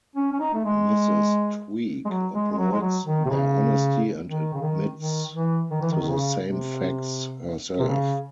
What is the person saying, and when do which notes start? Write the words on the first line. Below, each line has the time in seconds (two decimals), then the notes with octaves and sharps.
Mrs. Tweek applauds their honesty and admits to the same facts herself.
0.16 C#4
0.33 C#4
0.40 D#4
0.54 A3
0.64 G#3
2.05 G#3
2.10 F#3
2.33 G#3
2.52 G#3
2.57 F#3
2.72 G#3
2.81 F#3
3.06 D#3
3.25 C3
3.30 C#3
4.27 D#3
4.54 C#3
4.62 D#3
4.98 D#3
5.35 E3
5.71 D#3
5.81 E3
5.92 D#3
6.03 D#3
6.08 C#3
6.43 C3
7.79 C3
7.88 C#3